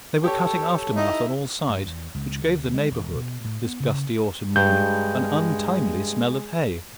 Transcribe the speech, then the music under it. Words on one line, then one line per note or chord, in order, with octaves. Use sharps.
They were cutting aftermath on all sides, which gave the neighbourhood, this gusty autumn morning, an untimely smell of hay.
G4 A4 C#5
D#4 E4
G2
E2
C#2
D2
G#3
E1
B2
A2
B3
C#3
G2 G#3 G6